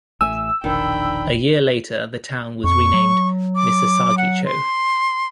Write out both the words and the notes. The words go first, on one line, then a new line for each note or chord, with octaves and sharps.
A year later, the town was renamed "Misasagi-cho".
A1 A3 E5 G#5 E6
E1 A#1 D#3 D4 C5 G5 B5
F2 C#6
F#3
D6
F#5
C6